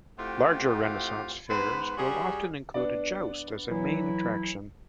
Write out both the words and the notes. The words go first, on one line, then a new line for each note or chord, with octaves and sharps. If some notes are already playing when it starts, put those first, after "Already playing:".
Larger Renaissance fairs will often include a joust as a main attraction.
A3 C4 E4 F4 G4 F#5
G#2 B3 B4 C5 B5
G3 C#4 F#4 G#4
B3 D4 D5
E3 F#3 E4